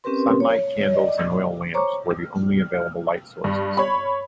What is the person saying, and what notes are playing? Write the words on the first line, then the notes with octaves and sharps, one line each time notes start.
Sunlight, candles and oil lamps were the only available light sources.
C4 C#4 G4 A#4 B4 C6
C#5
C#5
D5 D#5
C5 C#5 A#5 C#6 D6
G2
C#5 B5